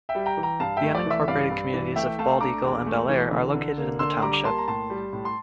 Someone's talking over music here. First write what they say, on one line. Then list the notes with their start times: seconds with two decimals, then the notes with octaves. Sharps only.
The unincorporated communities of Bald Eagle and Bellaire are located in the township.
0.09 E5 G5
0.15 G3
0.26 G5 A#5
0.37 E3
0.43 G5 A#5
0.60 G2 F5 A5
0.77 E5 G5
0.83 A3
0.95 D5
1.06 E3 E5
1.28 G2 D5 F5
1.51 G2
1.73 E3
1.96 A3 E5 G5
2.19 A3 F5 A5
2.41 D4 A#5 D6
2.64 E2
2.86 A3
3.09 E3
3.31 D3
3.54 D3
3.77 A#3
3.99 D3 C6 E6
4.22 G3 A#5 D6
4.34 D6
4.45 A#3 A5 C6
4.58 A#5
4.68 A2 A5 C6
4.90 G3
5.13 A2
5.25 C6